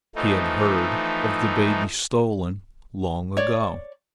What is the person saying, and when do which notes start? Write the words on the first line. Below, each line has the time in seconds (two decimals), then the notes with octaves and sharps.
He had heard of the baby stolen long ago.
0.15 E3 F3 A3 D#4
3.37 C#5 D5